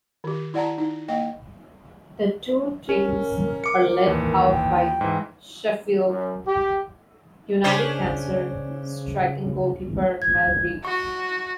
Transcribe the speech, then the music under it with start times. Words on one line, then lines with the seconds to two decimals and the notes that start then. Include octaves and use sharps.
The two teams are led out by Sheffield United's cancer-stricken goalkeeper Mel Rees.
0.24 D#3 G4
0.54 E4 D5 F#5 A5 A#5
0.78 D#4
1.08 A#3 D#5 G5
2.89 C#4 A#4
3.64 D6 C#7
4.06 D#2 E3
4.51 G5
5.01 G#2 E3
6.06 F#2
6.45 G4
7.64 C#3 C#4 D4 C5
10.22 G#6
10.85 F#4 C#6